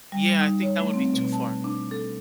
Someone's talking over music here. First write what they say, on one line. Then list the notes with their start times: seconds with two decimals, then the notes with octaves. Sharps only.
Yeah, I think that would be too far.
0.12 G3
0.39 D#4
0.62 C#5
0.78 A3
0.93 C4
1.14 B2
1.33 A5
1.64 D4
1.91 A4